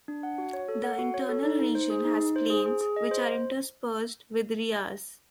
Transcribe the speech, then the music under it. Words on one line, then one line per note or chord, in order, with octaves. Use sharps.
The internal region has plains, which are interspersed with "rias".
D4
F#5
F#4
C#5
A4
F#5
F#4
C#5
A4
D#4
D#4
C5
G#4
D#4
D#4
C5
G#4
G#4
G#4
D#5
C5